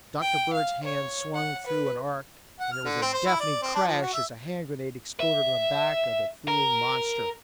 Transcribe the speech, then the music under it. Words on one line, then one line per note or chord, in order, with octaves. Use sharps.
Dr. Bird's hand swung through an arc, and there was a deafening crash as a hand-grenade exploded on the back of the fleeing monster.
G5
F5
C#5
F#5
B4
F#5
F6
D3
C4
C5
E4
D5
C4
D4
F3
F#4
E5
E5
A#4